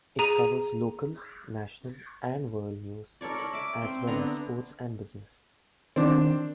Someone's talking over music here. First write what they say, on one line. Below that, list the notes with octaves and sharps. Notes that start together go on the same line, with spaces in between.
It covers local, national, and world news as well as sports and business.
G#4 A#5 D#7
A4 A#4 C#5 D5
A#4 B5
E5 D6
C4 G5
D3 B3 A#5
D#3 C4 D4